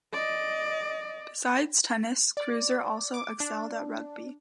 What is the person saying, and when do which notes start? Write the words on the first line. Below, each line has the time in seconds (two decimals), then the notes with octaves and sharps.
Besides tennis, Kreuzer also excelled at rugby.
0.13 D5 D#5
2.37 D5
3.14 D6
3.40 D4